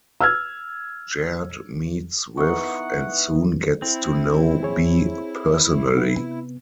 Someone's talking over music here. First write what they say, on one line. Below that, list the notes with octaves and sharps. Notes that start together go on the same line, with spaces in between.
Jared meets with and soon gets to know B personally.
E6 F6 G#6
E3 B3 D#4 F#5 C#6
C4 E4
G#4 C#5
C3 B3